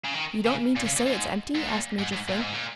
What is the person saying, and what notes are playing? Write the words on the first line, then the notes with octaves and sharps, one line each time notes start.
"You don't mean to say it's empty?" asked Major Flint.
C#3
D#3
C#3
A#2
C#3
A#2
G#2
G#2
A#2
G#2
G#2
A#2
G#2
A#2